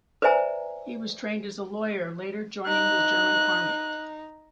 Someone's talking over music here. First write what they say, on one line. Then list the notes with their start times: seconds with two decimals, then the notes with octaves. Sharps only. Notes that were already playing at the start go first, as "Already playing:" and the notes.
He was trained as a lawyer, later joining the German Army.
0.22 B4 C5 D5 E5 G#5 A#5
2.67 D#4 F#6